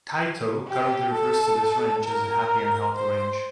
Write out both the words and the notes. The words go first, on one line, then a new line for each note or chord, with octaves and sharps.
Tayto currently refers to this range as the "Happy and Healthy range".
G4
A4
A#4
C5